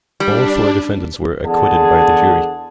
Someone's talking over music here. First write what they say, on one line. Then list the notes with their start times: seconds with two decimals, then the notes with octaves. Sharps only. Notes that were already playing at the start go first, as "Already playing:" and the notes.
All four defendants were acquitted by the jury.
0.20 G3 D4
1.45 E2 D3 G#4 F#5 A5